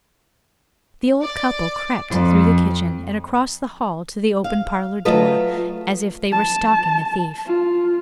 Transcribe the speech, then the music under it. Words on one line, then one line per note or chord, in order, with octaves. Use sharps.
The old couple crept through the kitchen and across the hall to the open parlour door as if they were stalking a thief.
D5
F2
F5
F#3 A3 F4 A4 B4 D#5
A5
F4